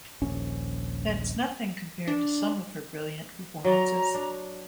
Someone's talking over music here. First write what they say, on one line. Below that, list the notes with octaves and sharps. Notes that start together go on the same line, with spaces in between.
That's nothing compared to some of her brilliant performances.
D#1 A#1 C#4
D4
F#3 D5 A#5
D4